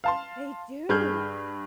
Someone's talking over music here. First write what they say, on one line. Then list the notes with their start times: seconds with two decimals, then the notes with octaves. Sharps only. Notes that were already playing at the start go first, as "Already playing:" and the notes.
They do!
0.04 F5 A5 C6
0.89 G2 G#4 F6 G6